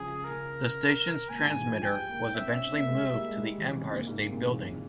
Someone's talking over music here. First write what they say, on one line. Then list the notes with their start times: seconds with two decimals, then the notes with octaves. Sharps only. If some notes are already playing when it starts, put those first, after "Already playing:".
The station's transmitter was eventually moved to the Empire State Building.
Already playing: C#3 F3 G#4
0.24 A#4
1.30 A#2 G#5
1.43 G#2
1.56 E3
1.70 F3
1.83 G3 G5
2.09 A#3
2.35 C4 E5
2.49 C#4
2.62 C4
2.75 A#3
2.88 G#3
3.01 G3
3.14 A#3
3.28 G#3
3.41 G3
3.58 E3
3.70 C#3
3.75 C3
3.94 A#2
4.07 G#2
4.20 A#2
4.27 C3
4.33 A#2
4.47 E3
4.72 C#3